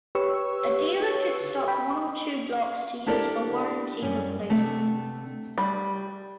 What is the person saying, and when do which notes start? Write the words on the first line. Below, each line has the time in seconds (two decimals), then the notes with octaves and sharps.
A dealer could stock one or two blocks to use for warranty replacement.
0.15 G4 B4 C#5 C#6 E6
1.68 G5 B5
3.07 D4 E4 G4 A4 A#4 D5
4.02 F#2 G3 C#4
4.49 C3 A3 B3 D4
5.58 G3